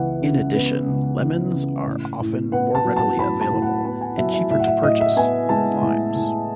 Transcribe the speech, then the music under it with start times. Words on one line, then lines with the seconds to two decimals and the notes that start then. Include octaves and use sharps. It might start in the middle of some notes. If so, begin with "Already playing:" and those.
In addition lemons are often more readily available, and cheaper to purchase, than limes.
Already playing: C#2 E3 B3 E5 F#5
0.22 C#3
0.55 B3
0.87 C#2
1.21 E3
1.53 C#3
1.87 A2
2.20 A2
2.52 B3 F#5
2.75 A5
2.85 F#3
2.96 A5
3.19 A2 B5
3.41 A5
3.51 A2
3.62 F#5
3.85 B3 A5
4.01 G#5
4.18 F#3 E5
4.33 E5
4.50 A2 E5
4.59 F#5
4.67 E5
4.83 A2 D#5
5.00 E5
5.16 B3 G#5
5.49 G#3 A5
5.82 A2
6.16 A2